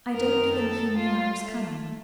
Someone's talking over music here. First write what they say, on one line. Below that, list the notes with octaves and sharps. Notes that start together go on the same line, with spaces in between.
"I don't think he knew I was coming."
F#2 D#3 A#4
A4
F4
A3